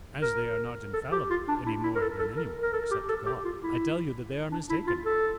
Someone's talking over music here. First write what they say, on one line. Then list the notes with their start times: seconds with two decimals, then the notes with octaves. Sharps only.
As they are not infallible any more than any one, except God, I tell you that they are mistaken.
0.22 A#4
0.93 A4
1.12 G4
1.30 F4
1.48 D4
1.66 E4
1.83 E4
1.95 A#4
2.01 A4
2.19 A4
2.37 A#4
2.63 A#4
2.73 A4
2.91 G4
3.09 A4
3.26 G4
3.45 F4
3.63 E4
4.52 D4
4.70 E4
4.87 F4
5.05 A4